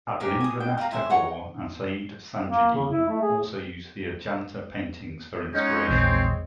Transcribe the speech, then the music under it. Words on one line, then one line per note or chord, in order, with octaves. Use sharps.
Abanindranath Tagore and Syed Thajudeen also used the Ajanta paintings for inspiration.
G4 G#4 A#4
G#5 D#6
G5
A#4 B4 F5 A#5
E4 C5 E5 G#5
D#4 C#5 F#5 C#6
A#3
C#3
E4
A3
G#4
G#3 C#4 D#4 G#4 C#5 F#5
A#1 E2 C4